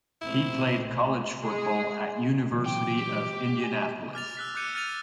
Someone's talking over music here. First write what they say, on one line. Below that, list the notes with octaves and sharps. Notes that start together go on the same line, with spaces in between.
He played college football at University of Indianapolis.
A#1 A3 C4 E4
G#3 G#4
A#2 E3 F#3
G5 D6
G4
G#5
D6 F6 A6 F7
E6 F#6 B6
D6 F#6 G6 C#7 D#7
F6 A6 D#7 F7